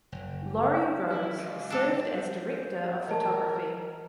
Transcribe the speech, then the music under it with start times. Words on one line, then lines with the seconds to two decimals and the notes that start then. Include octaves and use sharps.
Laurie Rose served as director of photography.
0.12 F#1
1.11 F#3 E4 D5
1.38 C#2
1.70 D4 A4
2.05 C5
3.07 E3 A#4 D#5 A5